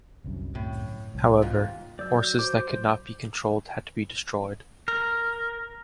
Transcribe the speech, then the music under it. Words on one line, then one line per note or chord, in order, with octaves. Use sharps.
However, horses that could not be controlled had to be destroyed.
G1 C2 F#2
A2
C2
D#2 G#2 F4
F#3 D5 E6 G6
C5 D6
A#4